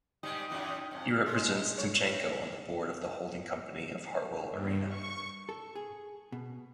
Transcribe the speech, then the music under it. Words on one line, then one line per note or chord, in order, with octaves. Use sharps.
He represents Timchenko on the board of the holding company of Hartwall Arena.
G#2 G3 G#3 D#4
F#2 A#2 E3
F2 G#2
G#3
C#5
E4
G2
C#6
A4
G#4
B2